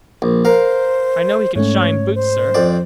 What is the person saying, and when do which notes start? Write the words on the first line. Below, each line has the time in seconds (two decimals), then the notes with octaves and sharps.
"I know he can shine boots, sir."
0.22 A#1
0.45 A#4 C5 F5
1.56 G#2 A3 C#4 C#5
2.15 C5
2.54 F2 D5